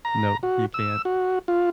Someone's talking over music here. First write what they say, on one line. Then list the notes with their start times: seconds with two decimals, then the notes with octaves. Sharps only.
No, you can't.
0.05 A#5
0.43 F#4
0.74 E6
1.05 F#4
1.48 F4